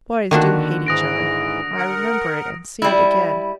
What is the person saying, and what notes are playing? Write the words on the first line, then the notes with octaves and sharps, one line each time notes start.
Boys do hate each other: I remember it, and see it again.
D3 D#3 A#3 D4 F#4
G#2 E3 D#6 A#6 D7
A#4 F#5
G3 E4